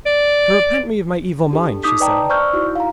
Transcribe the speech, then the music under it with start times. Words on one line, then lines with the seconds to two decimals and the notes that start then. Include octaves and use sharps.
'To repent me of my evil mind,' she said.
0.06 D5
1.51 D4 G4 A4
1.83 D#4 D6 D#6 G6 B6
2.00 B4 D5 D#5 G5 A5 A#5
2.29 C5 D5 C#6 E6 F6 G6
2.53 D#4 E4 F#4
2.75 F5 A#5